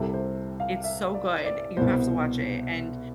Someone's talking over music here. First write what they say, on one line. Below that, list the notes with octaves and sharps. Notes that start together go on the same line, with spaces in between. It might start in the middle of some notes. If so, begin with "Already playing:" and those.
It's so good, you have to watch it and
Already playing: C2 C3 G3 A4
C5
F5
E5
D5
D5
C2 B2 B3 C5